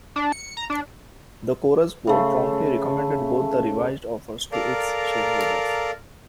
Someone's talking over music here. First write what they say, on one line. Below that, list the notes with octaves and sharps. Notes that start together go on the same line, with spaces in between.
The Corus board promptly recommended both the revised offers to its shareholders.
D4
C#7
A#5
D4
C#3 A3 C6
A4 A#4 D5 F5 A#5